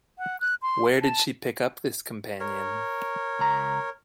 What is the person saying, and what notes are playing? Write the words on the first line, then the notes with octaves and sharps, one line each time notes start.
Where did she pick up this companion?
F#5
F#6
C6
A5
A#4 C#5
C#2 A#5